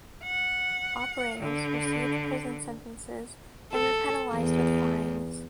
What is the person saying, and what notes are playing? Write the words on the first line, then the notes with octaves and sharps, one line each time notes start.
Operators received prison sentences and were penalized with fines.
F#5
D3
A4
E2